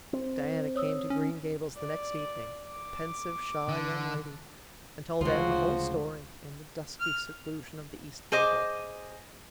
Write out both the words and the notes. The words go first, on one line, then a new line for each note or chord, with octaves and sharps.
Diana came to Green Gables the next evening, a pensive, shy young lady, and told Anne the whole story in the dusky seclusion of the east gable.
C4
C#5 D#6 E6
C#4
D5
D6
D3
D2 C#3 F3 G#3 F4 F#4 C6
F6
G#4 C5 D#5 D6